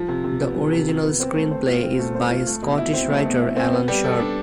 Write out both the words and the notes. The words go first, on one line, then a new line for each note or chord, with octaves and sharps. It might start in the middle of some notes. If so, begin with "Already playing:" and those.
The original screenplay is by Scottish writer Alan Sharp.
Already playing: F3
C3
C3
B3
F3
C3
C3
B3
C4
A3
C5
F4
C4
A3
C5
F4
A3
B2
E4
C4
A3
B2
E4
C4
B3
G3
A4
D4